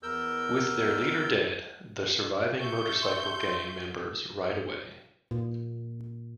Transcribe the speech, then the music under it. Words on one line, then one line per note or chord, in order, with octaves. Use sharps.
With their leader dead, the surviving motorcycle gang members ride away.
E2 A#4 E6 G6
E5 C#6 G6
C6
A#2